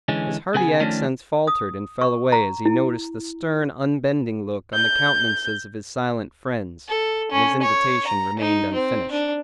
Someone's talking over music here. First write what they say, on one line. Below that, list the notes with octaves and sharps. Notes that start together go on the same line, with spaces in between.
His hearty accents faltered and fell away as he noticed the stern unbending look on the countenances of his silent friends, and his invitation remained unfinished.
D3 E3 G#3 C#4
C#3 B3 G#4 G#5
D#3 F3 A3 C#4 D4
D#6
C#6
A#5
E4
G6
A4
C#4
C#5
A#5
D#4
C4
D4